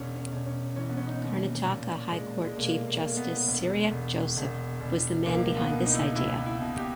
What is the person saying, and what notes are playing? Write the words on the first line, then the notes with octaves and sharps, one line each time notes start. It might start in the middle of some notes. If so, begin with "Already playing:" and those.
Karnataka High Court Chief justice Cyriac Joseph was the man behind this idea.
Already playing: E1 C#4
C#4
E1
C#4
E3 C#4
B3
C#4
D#4
D#2
C#4
A#2 C#4
A#2 G#3
G#3
B1 A#3
A#3
B1
B3
E1
E1
E1
E1
C#2 A#3
B3
B2
D#4
E4
D#4
C#2 E4
E4
B2
G4